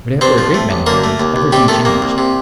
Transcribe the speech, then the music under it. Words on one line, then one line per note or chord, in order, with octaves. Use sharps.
But after a great many years, everything changed.
G2 C4 C5
F3
A3
A1
D3 A#3 A#4
A3
D#2
D#2
C3 G3 G4
D#3 A3 A4
C2 A#3
C2
C3